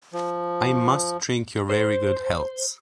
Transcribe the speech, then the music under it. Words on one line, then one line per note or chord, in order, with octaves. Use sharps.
I must drink your very good healths.
F3
C5